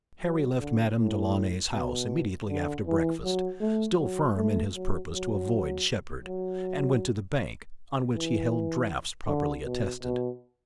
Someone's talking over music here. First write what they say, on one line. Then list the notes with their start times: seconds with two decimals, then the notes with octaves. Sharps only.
Harry left Madame Delaunay's house immediately after breakfast, still firm in his purpose to avoid Shepard, and went to the bank, on which he held drafts properly attested.
0.22 F#3
0.60 D3
0.97 A2
1.73 B2
2.48 D3
2.86 E3
3.24 F#3
3.61 A3
3.99 F#3
4.37 A3
4.74 F#3
5.12 F#3
6.25 F#3
8.14 E3
9.27 D3
9.65 B2
10.03 B2